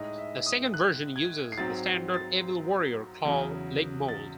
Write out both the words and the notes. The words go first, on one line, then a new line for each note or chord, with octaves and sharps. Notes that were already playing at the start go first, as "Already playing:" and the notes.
The second version uses the standard Evil Warrior 'claw' leg mold.
Already playing: A2 G#3 D#4 D#5
E5
D#6
F#6
G#6
C7
G#2 F#3 C4 A6
C7
A6
E2 C#3 F#3
A6